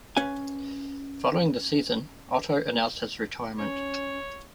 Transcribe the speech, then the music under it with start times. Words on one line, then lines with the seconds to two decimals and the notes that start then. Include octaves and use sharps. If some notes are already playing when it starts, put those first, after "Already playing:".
Following the season, Otto announced his retirement.
0.17 C#4 B4 F5 G#5
3.59 C#4 C#5